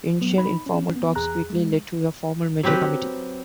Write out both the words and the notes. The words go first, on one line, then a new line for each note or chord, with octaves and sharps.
Initial informal talks quickly led to a formal merger committee.
F#3 B3
D#4 B5
C#4
B3
E2 G#4 A#5 F#6
G#3
F#3 C4 G4 B4